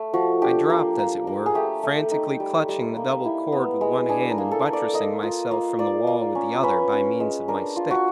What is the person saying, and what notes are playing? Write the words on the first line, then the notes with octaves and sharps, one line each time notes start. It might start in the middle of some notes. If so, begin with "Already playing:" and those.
I dropped as it were, frantically clutching the double cord with one hand and buttressing myself from the wall with the other by means of my stick.
Already playing: A3
F3 F#4
D4 G4
A#3
A#3
A#3
G#4
A3 G4
A3
D#4
G3
G3
A#3
E4
B3
G#3
D4 G#4
A#4
A#3
A4
A#3
D5
A#3 D#5
F4
A#3
A#3 D5
A#3
C#4
C#4 B4
C#4
G#3
D4 A#4
F4
F#4